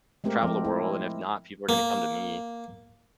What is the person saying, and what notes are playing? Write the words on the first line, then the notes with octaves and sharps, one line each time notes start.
travel the world, and if not, people are gonna come to me,
G#3 A3 C4 G4 A#4
F3 C4
E4
A#3